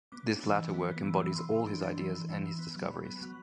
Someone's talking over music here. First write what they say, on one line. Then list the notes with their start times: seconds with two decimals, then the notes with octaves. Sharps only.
This latter work embodies all his ideas and his discoveries.
0.12 B3 D6
0.27 D4
0.44 E3
0.58 E3
0.74 B3
0.90 B3
1.05 E3
1.21 E3
1.35 E3 C6
1.51 E3
1.67 D4
1.83 D4
1.98 E3
2.13 E3
2.29 E3
2.44 E3
2.59 B3
2.75 F#3
2.90 F#3 B5
3.05 B3
3.22 F#3